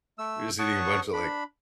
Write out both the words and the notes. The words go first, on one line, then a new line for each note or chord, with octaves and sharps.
you're just eating a bunch of, like,
A3 E6
C#5 F#5 A5 C#6 D#6
D4 B5